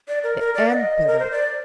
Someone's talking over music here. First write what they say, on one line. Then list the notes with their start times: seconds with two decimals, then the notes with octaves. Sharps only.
The Emperor!...
0.08 D5
0.23 A#4
0.40 A#4
0.55 D5
0.70 F#5
0.74 D#5
1.07 A#4
1.19 C5
1.31 D5